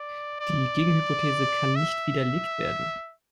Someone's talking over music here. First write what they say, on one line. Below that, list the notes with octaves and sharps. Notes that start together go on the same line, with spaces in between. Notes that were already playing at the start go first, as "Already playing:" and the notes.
Die Gegenhypothese kann nicht widerlegt werden.
Already playing: D5
D5
E5